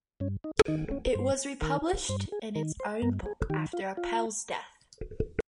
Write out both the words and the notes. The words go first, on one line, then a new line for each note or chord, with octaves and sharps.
It was republished in its own book after Apel's death.
G2 C#4
D#4
D#3 D#4
C#4
G2 C5
D#3 A#4
G2 C5
G#4
D#3 A#4
C5
G2 A#4
G#4
D#3 G4
F4
F4